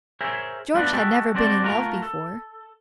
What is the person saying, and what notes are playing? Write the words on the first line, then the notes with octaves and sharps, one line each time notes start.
George had never been in love before.
G#4 A#4 C5 C#5 E5
G3 A3 B3 D4 F4 F#4
G#3 F#4 G4 A4
G3 C4 D4 F#4 G4 D5
A3 F4 F#4 A#4 A#5
A4